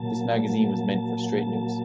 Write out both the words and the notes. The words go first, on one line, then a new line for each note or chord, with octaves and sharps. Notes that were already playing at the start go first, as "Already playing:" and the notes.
This magazine was meant for straight news.
Already playing: A#2 F#3 A#3 A5